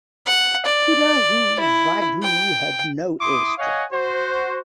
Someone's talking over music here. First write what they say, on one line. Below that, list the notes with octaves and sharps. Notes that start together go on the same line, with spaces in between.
Kudahuvadhoo had no airstrip.
F#5
D5
E4
G5
E4 C6 D6 D#6
C#5 D#5 F5 F#5 G#5
F#4 C5